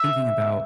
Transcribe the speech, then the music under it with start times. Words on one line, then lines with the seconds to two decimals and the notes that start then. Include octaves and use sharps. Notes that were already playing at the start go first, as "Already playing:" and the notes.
thinking about
Already playing: E5